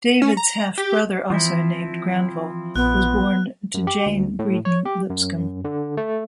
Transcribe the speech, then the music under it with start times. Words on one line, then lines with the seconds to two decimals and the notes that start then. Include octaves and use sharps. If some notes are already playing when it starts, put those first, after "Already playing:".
David's half-brother, also named Granville, was born to Jane Breedan Lipscomb.
0.22 C#4
0.37 A#5
0.78 G4
1.30 E3 F3 C4 E4
2.76 A#1 B3 F#6
3.74 F#2
3.87 G4
4.06 D2
4.39 A2
4.65 C#5
4.85 G4
5.10 F#2
5.65 D3
5.97 A3